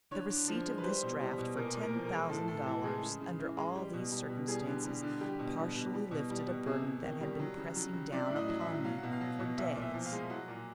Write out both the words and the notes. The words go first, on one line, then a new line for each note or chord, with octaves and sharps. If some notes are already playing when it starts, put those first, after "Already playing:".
The receipt of this draft for ten thousand dollars, under all these circumstances, partially lifted a burden that had been pressing down upon me for days.
D3 C#5
D3
F3
G#3
B4
G3 C5
B2
G3
B2
A#2 A#4
A#2
A#4
F3
A#4
G#3
A2 A4
A2 A4
E3 A4
G#3 G#4
C#3
C#3
E3
G#3
G3
B2
G3
B2
G3 G#4
D3
G3
D3
G3 G4
B2
G3
B2
G3
B2
G3
B2
C3 G#4
C3
D#3
G3
F#3
C#3
F#3
C#3
F#3 D5
A2 E5
D#5
F#3
E5
A2
F#3 F5
B2 F#5
F5
F#3
B2
A#2 E5
A#2
E5
F3
F5
G#3
F#3 F#5
A#2